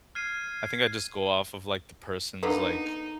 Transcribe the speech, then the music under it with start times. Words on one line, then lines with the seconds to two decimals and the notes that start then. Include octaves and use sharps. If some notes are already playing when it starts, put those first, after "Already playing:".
I think I just go off of, like, the person's, like,
0.15 F6 G#6 C7 D#7
2.43 D3 A#3 B3 D#4